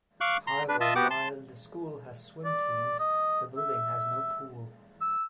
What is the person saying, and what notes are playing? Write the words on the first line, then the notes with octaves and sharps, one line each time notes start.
However, while the school has swim teams, the building has no pool.
F5 C#6 D6 F#6
A#5 C6
D4 B4
F4 D#5 E5 A5
B3 F#4 G4 F#5 D6
A5 C6
D5
D#5
E5
E6